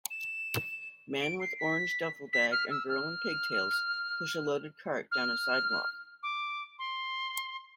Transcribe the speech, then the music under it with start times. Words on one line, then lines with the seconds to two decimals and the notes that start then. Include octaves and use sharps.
Man with orange duffel bag and girl in pigtails push a loaded cart down a sidewalk.
0.10 E7
1.21 D7
1.40 C7
1.59 B6
2.33 B6
2.52 F6
2.71 E6
2.89 F6
5.12 F6
6.23 D6
6.79 C6